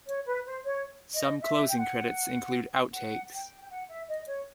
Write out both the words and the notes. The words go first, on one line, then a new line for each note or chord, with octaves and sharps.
Some closing credits include out-takes.
C#5
B4
C5
C#5
D#5
E5
G5
F#5
F#5
G5
G5
F#5
E5
D#5
C#5